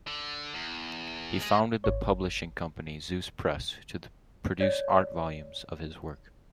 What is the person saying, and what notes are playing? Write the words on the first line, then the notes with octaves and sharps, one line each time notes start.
He founded the publishing company Zeus Press to produce art volumes of his work.
D3
E2
G#3 G#4
G#1 C#5
C#5 D5